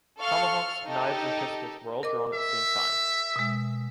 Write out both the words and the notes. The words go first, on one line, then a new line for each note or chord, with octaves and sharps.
Tomahawks, knives and pistols were all drawn at the same time.
A4 F5 C#6 F6
D#4 G4 A4
A#4 D#5 D6
E5
B2 G#3